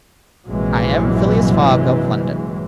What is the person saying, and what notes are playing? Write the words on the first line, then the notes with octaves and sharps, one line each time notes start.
"I am Phileas Fogg, of London."
A#1 G2 C3 E3 F#3 G#3